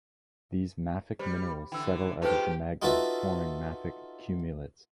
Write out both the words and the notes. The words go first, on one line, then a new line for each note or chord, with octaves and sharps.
These mafic minerals settle out of the magma, forming mafic cumulates.
G3 G4 C5
D3 E3 G5 E6
E2 D#4 F4 G4 A4 B4 C5
D#4 F4 F#4 A4 B4 E5